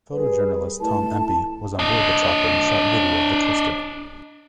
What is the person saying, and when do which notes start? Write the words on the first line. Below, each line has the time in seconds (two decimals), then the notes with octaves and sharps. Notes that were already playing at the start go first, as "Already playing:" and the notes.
Photojournalist Tom Empey was on board the chopper and shot video of the twister.
0.14 G3 G#4 A#4 B4
0.81 A3 E4 A5
1.79 D4 D#5